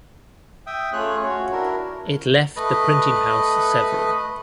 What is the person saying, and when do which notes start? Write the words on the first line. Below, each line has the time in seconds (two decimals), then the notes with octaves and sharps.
It left the printing house several.
0.67 E5 G5 D#6
0.93 A3 C#4 F4 G#4 C#5 F#6
1.23 F#4 C#5
1.52 D4 E4 A#4
2.57 A3 B4 D#5 B5